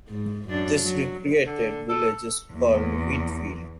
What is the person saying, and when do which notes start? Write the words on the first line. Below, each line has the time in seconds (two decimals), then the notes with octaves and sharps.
This recreated village is called Wheatfield.
0.10 G#2
0.49 F#2 D4
0.82 F#3
1.46 D3
1.89 A4
2.54 E2 A#3